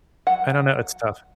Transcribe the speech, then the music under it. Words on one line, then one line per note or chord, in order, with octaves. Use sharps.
I don't know. It's tough.
F#3 F#5